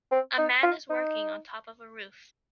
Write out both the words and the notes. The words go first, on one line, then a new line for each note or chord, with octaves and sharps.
A man is working on top of a roof.
C4
D#4
F4
D#4